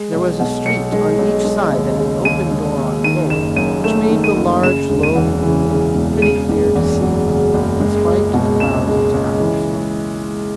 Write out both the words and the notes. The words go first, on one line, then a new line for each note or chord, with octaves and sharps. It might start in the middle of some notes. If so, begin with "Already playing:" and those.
There was a street on each side and an open door on both, which made the large, low room pretty clear to see in, in spite of clouds of tobacco smoke.
Already playing: G#3
B1
B2
B1 C#7
G#3
B1
G#3
D#2
C#3
D#2 D#7
G#3
D#2
D#3 D#7
F#1 E7
F#2 D#7
A3 E7
D#3
D#7
F#1
C#3 E7
E1
D#7
E2
E3
C#3
E1
C#3 D#7
F#1
E2
F#3
C#3
F#1
G#3
C#2
B2
C#2 E7
G#3
C#2
E3